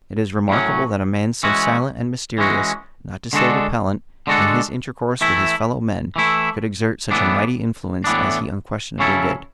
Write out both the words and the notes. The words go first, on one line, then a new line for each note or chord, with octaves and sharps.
It is remarkable that a man so silent and mysterious, not to say repellent, in his intercourse with his fellow-men could exert such a mighty influence as he unquestionably did.
A2 F#3 C#4
E3 G#3 C#4 F#4
E3 G#3 C#4 F#4
D3 G#3 D4 F#4 A4
D3 G#3 D4 F#4 A4
E3 A3 E4
E3 A3 E4
A2 E3 B3 D4
A2 E3 B3 D4
C#3 F#3 C#4 E4 A4